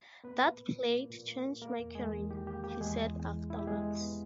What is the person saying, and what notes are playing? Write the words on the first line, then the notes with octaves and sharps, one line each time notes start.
"That play changed my career", he said afterwards.
A#3 B3 B4
A#2
A#2
A#2
A#3
A#2
A#3
A#2
A#3 A#4
E2
E2 G#3 G#4
E2
D#3 G4
A#3 G4
A#3 G4
E2 G#3 G#4
E2
E2
G#3
B2 E4
G4
G#3 B3 G#4
G#3
B3